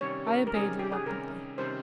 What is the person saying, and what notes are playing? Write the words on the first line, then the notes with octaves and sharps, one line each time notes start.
I obeyed reluctantly.
C3 D#3 G3 C#4 C#5
A#4
A#4
C3 D#3 G3 C#4 G#4
G4
G#4
C3 D#3 G3 C#4 A#4
C3 D#3 G3 C#4 C5